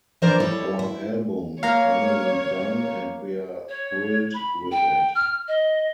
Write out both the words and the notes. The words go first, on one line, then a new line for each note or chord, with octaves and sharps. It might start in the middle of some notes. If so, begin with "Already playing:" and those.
Our album is finally done and we're thrilled with it.
E3 F3 D4 A#4 C5 D5
G3 E4 A4 C#5
E4
A#3 A#4 C#5 F5
C#5
B5
G5
F6
D#5